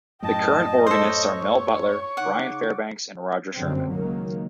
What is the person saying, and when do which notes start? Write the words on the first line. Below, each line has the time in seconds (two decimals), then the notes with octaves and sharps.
The current organists are Mel Butler, Brian Fairbanks, and Roger Sherman.
0.22 F#2 A2 D#5 G5 A5
0.87 A4 C5 C#5 C#6
2.17 C#3 D#4 F#5 D6
3.56 G1 F#2 D3 C4
3.94 C#2 D#3 F#3 A#3